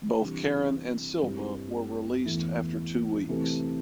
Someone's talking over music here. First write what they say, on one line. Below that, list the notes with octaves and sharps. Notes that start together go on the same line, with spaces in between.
Both Karin and Silva were released after two weeks.
C3 E3 G3 D4
G2 G3 C4 E4
E2 E3 A3 E4
C3 E3 A3